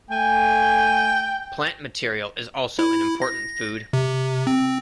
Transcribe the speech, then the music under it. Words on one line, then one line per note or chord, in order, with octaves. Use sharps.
Plant material is also an important food.
A3 G5 G#5
E4
A#6
C3
C4